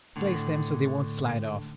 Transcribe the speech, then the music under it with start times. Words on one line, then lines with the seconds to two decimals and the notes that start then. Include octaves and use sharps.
Place them so they won't slide off.
0.16 A2 D3